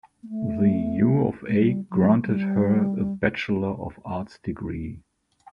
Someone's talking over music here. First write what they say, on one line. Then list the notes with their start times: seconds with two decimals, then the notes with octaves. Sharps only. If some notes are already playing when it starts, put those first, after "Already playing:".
The U of A granted her a Bachelor of Arts degree.
0.23 A#3
0.29 A3
1.48 G#3
1.58 G3
1.90 F#3
2.23 G3